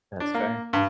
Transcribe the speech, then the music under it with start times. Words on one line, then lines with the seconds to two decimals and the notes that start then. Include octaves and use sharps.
That's fair.
0.20 D4
0.34 A#3
0.73 G2